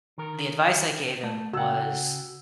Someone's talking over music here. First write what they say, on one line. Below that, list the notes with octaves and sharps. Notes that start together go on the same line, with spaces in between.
the advice I gave him was,
D#3 A#4
A3
C#3 F#4 F#5 G5 E6